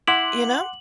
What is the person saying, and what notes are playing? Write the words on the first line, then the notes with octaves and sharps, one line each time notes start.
you know?
E4 F#5 C6 D6 F#7